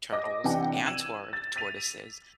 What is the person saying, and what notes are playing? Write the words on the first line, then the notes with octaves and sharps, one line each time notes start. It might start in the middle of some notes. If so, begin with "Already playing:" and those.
turtles and tort tortoises,
D#5 D6 A#6
C3 E3 D4 F#5 G5
E6 G#6 D#7 E7 F#7
A6
A6 B6 D#7 F7